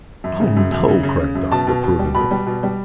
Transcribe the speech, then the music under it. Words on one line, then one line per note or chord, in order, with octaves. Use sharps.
"Oh, no," cried Dot reprovingly.
F#2
C#3
F#2
F#2
C#3
C#3
C#3
F#2
B2 A5
B2
B2
G3
B2 B5
G3
B2
G3